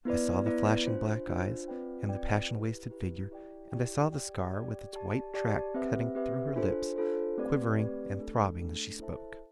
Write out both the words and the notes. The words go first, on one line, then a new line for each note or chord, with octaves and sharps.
I saw the flashing black eyes, and the passion-wasted figure; and I saw the scar, with its white track cutting through her lips, quivering and throbbing as she spoke.
B3 E4 B4 D5
B3 E4 B4 D5
D4 F4 C5
D4 F4 C5
C4 F4 B4 D5 G5
C4 F4 B4 D5 G5
E4 G4 B4
E4 G4 B4
E4 G4 D5 G5
E4 G4 D5 G5
G4 D5 G5
G4 D5 G5
G4 D5 A5
G4 D5 A5
C4 G4 B4 E5
C4 G4 B4 E5
D4 F4 A4 C5
D4 F4 A4 C5
A3 C4 G4 B4 D5
A3 C4 G4 B4 D5
A3 D4 A4
A3 D4 A4
E4 A4 C5 E5 A5